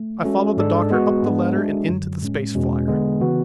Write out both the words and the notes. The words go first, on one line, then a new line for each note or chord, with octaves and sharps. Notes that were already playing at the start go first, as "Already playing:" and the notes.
I followed the Doctor up the ladder and into the space flier.
Already playing: A3
G#3 C#4 F#4 A4 E5
G#2 G#3 D4 A4 D5
G#3 B3 F#4
G#2 G#3 B3 D4
G#3 D4 F#4 A4 E5
F#2 D3 F#3
A2 G#3 C#4
E2 B2 G#3 C#4
D3 G#3 B3
C#3 E3 B3 F#4